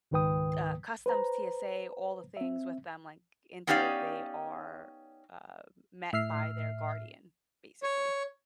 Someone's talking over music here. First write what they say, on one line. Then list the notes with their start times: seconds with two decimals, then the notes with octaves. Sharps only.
uh, customs, TSA, all the things with them, like, until they are, uh, met by their guardian, basically.
0.11 C#2 G#2 D#3 B4 G5 D#6
1.06 B4 C5 A#5
2.37 C4 E5
3.67 B3 C#4 D#4 G4 D5 F5
6.13 A2 E5 F6 C7
7.83 C#5